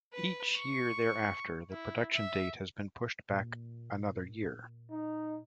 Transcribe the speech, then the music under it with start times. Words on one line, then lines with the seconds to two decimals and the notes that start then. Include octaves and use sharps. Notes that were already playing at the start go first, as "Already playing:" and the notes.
Each year thereafter the production date has been pushed back another year.
0.13 B4
0.56 C#6
1.71 E4
2.14 E5
3.30 A#2
4.91 D#4